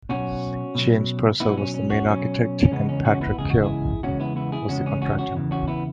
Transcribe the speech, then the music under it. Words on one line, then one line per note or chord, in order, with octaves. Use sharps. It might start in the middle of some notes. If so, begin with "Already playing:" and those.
James Purcell was the main architect and Patrick Keough was the contractor.
B2 F#3 C#4 F#4
B2 F#3
B2 F#3 B3 E4
C#4
C#4
C#4 F#4
B2 F#3 C#4
C#4
E2 C#3 G#3 B3
C#4
C#4 F#4
B3 E4
E2 C#3 G#3 G#4
F#4
E4 G#4
E2 C#3 G#3 C#4 F#4
B3 E4
B3 E4
E4 G#4
E2 C#3 G#3 C#4 F#4
C#4
C#4 F#4
C#4 F#4
E2 C#3 E3
C#4 F#4
B3 E4